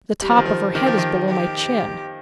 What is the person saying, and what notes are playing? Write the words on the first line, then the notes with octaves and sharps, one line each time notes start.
"The top of her head is below my chin."
G3
F3
D#3
F3
D#3 G4
F3
D#3
G4